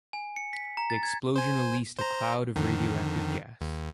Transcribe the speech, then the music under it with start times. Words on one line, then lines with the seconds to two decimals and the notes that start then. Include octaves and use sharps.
The explosion released a cloud of radioactive gas.
0.13 G#5
0.36 C#7
0.53 B6
0.77 A#5
0.90 A6
1.03 G#6
1.36 C5 G#5
1.99 C5 A#5
2.56 F2 D3 D#3
3.61 D#2